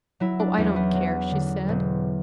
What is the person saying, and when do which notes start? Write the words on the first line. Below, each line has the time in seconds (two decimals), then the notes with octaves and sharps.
"Oh, I don't care!" she said.
0.20 F#3 E4
0.39 D4
0.57 E2 C#4
0.76 B3
0.95 F#3
1.31 D3
1.68 E1